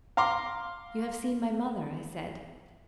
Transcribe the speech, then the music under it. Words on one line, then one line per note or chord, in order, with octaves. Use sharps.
"You have seen my mother," I said.
F5 A#5 C6 D6